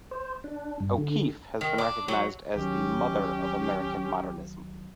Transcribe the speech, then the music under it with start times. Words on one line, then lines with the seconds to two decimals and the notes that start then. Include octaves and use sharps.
O'Keeffe has been recognized as the "Mother of American modernism".
0.11 C5
0.44 D4
0.80 G2
0.98 D3
1.61 D#3
1.78 D4
2.08 F#3
2.54 C2 D#3 F#3 C#4 G4